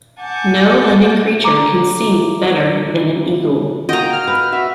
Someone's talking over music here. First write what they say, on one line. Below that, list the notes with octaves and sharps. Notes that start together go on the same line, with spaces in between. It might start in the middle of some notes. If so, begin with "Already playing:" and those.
No living creature can see better than an eagle.
F#5 G#5 A5 D6 G6
A#5 D6
A#3 F#4 D#5 G5 A#5
F6
B4
F#4 E5